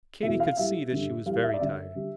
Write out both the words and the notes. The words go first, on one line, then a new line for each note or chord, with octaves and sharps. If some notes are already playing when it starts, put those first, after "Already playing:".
Katy could see that she was very tired.
E2 B2 A3 E5
F5
A2 G3 E5
G2 D3 G3
A2 E3 G3 F5
E5
D5
G2 D3 A3 E5
D3 G3